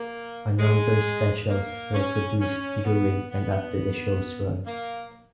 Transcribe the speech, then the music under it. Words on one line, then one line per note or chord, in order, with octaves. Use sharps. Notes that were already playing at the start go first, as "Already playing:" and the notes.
A number specials were produced during and after the show's run.
Already playing: A#3
G#3
A#3
C#4
C#4
B3
B3
A#3